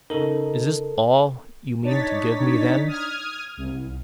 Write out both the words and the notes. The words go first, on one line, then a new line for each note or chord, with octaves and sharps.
'Is this all you mean to give me, then?'
C#3 D#4 A4 A#4
D4 D#4 C#5 A6 B6
D#6 F6 G#6
C2